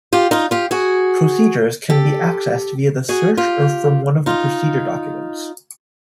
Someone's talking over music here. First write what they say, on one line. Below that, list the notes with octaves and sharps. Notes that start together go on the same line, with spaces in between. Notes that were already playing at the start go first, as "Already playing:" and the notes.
Procedures can be accessed via the search or from one of the procedure documents.
F4 G4
D#4 F4
F4 G4
F#4 G#4
G4 A4
F#4 G#4
F4 G4
D#4 F4